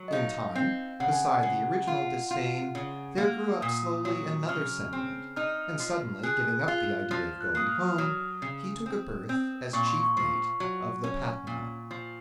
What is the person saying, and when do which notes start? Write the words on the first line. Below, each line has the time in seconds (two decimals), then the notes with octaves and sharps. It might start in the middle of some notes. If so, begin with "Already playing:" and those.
In time, beside the original disdain there grew up slowly another sentiment; and suddenly, giving up the idea of going home, he took a berth as chief mate of the Patna.
Already playing: F#3
0.08 D#5
0.12 D#4 F5
0.55 C4
1.00 C#3 F#5
1.12 G#5
1.26 F#5
1.43 C#3
1.87 F4
2.31 F4
2.75 C#3
3.18 A#3
3.61 A#2 D#6
4.05 F#3
4.49 C#3 F6
4.93 C4
5.36 D#4 F6
5.80 F3
6.23 G#4 F#6
6.68 F4
7.11 F3 F6
7.41 F#6
7.55 A#3 D#6
7.68 F6
7.89 F6
7.98 F#3 D#6
8.42 C#3
8.86 C4
9.29 C4
9.73 A#2 C#6
9.87 C6
10.00 C#6
10.17 F3
10.60 F#3
11.03 C#4
11.47 A#2
11.91 F3